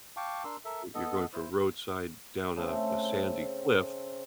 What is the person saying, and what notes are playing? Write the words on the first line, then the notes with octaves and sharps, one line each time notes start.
y you're going from roadside down a a sandy cliff,
F5 G5 A5 C#6 D6
D4 A#4 C6 E6
A4 A#4 E5
B3 A4 D#5
E4 C5
C#3 A3 C4